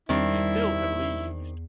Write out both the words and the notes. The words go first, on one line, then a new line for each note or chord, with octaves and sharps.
It is still heavily used.
E2 D#3 G3 C4 D4 E4